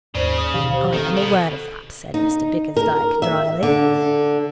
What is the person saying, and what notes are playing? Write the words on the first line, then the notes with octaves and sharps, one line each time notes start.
'I am aware of that,' said Mr Bickersdyke drily.
D#2 G#2 C#3 C5 D5
D#6
B2 D3 D#3 G4 F5
C5
D#3 C4 A4
B2
D#4
A#4
E5
D3